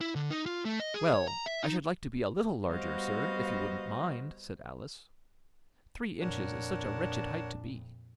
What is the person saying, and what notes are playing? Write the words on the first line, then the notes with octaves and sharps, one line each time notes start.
'Well, I should like to be a LITTLE larger, sir, if you wouldn't mind,' said Alice: 'three inches is such a wretched height to be.'
E4
D3
D#4
F4
A3
D#5
G#4
C#5
A#5
E5
D#4
G3 B3 F#4 C5 D#5 F5
F2 A#2 D4 A#4 C#5 F#5